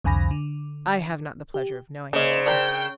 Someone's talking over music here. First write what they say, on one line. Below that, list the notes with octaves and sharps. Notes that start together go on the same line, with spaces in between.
"I have not the pleasure of knowing Mr. Tifto."
C2 F2 D3 G#5 B5 A#6
D3
G4
G#2 C#3 A#3 C5 D5 D#5
D4 A#4 G5